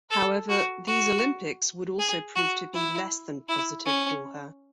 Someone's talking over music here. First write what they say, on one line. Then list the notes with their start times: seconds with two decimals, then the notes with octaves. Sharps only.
However, these Olympics would also prove to be less than positive for her.
0.11 A4
0.49 F#4
0.87 F#4
1.99 G#4
2.35 F#4
2.74 E4
3.49 E4
3.86 C#4